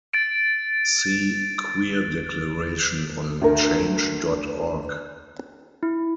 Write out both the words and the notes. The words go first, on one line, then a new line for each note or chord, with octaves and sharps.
See Queer Declaration on Change dot org.
A6 D7
D2 A#4
E4